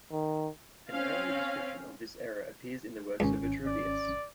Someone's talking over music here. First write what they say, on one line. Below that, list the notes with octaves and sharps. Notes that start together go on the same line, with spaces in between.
An early description of this error appears in the works of Vitruvius.
D#3
C4 C#4 F5
G#1 C#2 C#4
D5